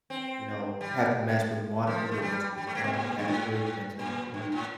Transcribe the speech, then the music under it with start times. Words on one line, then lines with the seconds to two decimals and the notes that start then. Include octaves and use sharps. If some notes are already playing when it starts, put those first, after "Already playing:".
you know, have to mess with Monica Lewinsky, you know, when he had Hillary Clinton, you know?
0.10 C4
0.81 G3
1.87 F3
2.12 A3
2.22 G3
2.58 G3
2.67 A3
2.75 A#3
2.84 C3
2.93 A#2
3.19 G2
3.28 A2
3.99 A#2
4.34 G2
4.52 A2